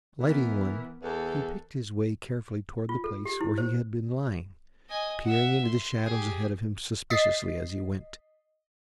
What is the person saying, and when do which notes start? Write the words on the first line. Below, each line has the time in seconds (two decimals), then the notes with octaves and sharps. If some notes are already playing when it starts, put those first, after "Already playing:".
Lighting one he picked his way carefully toward the place where he had been lying, peering into the shadows ahead of him suspiciously as he went.
0.20 E3 B3 A#4
1.03 E2 A4
2.89 F4
3.04 A4
3.25 G4
3.41 E4
3.58 C5
4.90 D#5 G#5
5.24 E5 F#5
5.65 C6
6.04 G4 G#4
7.10 D#5 A6 B6 C7